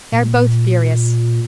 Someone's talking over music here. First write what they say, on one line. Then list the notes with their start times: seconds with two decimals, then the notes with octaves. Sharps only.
They are both furious.
0.12 A#2